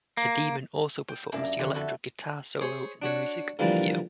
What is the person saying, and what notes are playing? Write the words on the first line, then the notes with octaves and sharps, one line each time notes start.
The demon also performs the electric guitar solo in the music video.
A#3
G5
F#2 A#3 D4 E4
A#5
F2 D3
E4 F#4 A4 B4
G#4 C5 C#5
D4 F#4 C#5
D3 E3 F3 G3 A#3